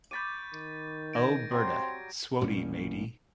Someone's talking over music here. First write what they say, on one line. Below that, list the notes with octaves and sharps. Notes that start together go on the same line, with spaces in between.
O Birtha, swotie mayde!
B5 C#6 D6 G6 A6 D#7
D#3
G#6 A#6 D7
F#3 G3 C4
A1 A#2 G3 C#4